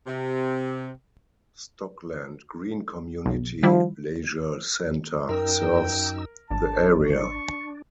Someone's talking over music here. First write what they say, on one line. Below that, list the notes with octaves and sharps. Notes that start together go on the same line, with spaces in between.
Stockland Green Community Leisure Centre serves the area.
C3
B1
D#3 F3 G3 E4
F#2 D#4 A#4 G5 E6
G#1 D4 A5
C#6